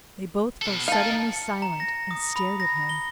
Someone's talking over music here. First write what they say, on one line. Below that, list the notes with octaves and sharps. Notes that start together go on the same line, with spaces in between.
They both fell suddenly silent and stared at him.
B2 A4
D#4 A#4 F5 A5
C#7
A#5
A#6
D#6
B5
A#6
G7